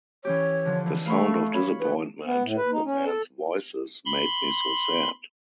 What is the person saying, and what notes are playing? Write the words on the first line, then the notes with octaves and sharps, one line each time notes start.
The sound of disappointment in the men’s voices made me so sad.
E3 C#4 G4 C#5
D3 F3
E3
A3 F5 B5 C#6
C#5 B5
B4
B3
A2
B4
D#4
C#4
A4
B5 C6